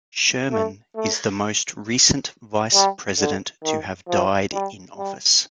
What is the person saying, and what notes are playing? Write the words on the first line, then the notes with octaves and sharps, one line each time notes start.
Sherman is the most recent Vice President to have died in office.
A3
A3
G3
D3
D#3
F3
G3
G3